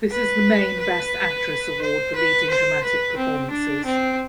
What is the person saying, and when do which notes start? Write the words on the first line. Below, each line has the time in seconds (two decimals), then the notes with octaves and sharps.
This is the main best actress award for leading dramatic performances.
0.12 B4
0.79 B4
1.81 C5
2.15 B4
2.50 C5
2.83 B4
3.17 C4
3.51 D4
3.85 C4